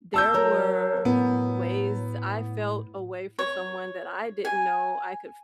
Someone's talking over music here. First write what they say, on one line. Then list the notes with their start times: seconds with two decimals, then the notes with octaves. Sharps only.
there were ways I felt a way for someone that I didn't know I could f
0.14 A5 E6 G6
0.34 F#3 A#4 C#5
1.05 A2 B3
3.39 C#5
4.45 G#5